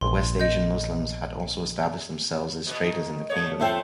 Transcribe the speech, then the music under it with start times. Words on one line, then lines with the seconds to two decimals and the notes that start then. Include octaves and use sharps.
The West Asian Muslims had also established themselves as traders in the kingdom.
0.01 A#1 C6
0.40 D#5 G6
2.67 B2 D3 B3
2.81 D#3
3.30 A3 A#3 C#5
3.60 F2 A3 A4 C5 E5 G5